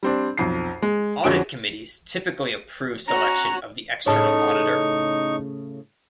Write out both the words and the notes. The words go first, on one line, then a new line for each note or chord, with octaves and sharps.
Audit committees typically approve selection of the external auditor.
G3 C4 D4
B1 F2 C7
G#3
F2 D3 C#4 F#4 D7
C#4 F#4 A#5
A2 C#3 D#4 C#5 A5 C#6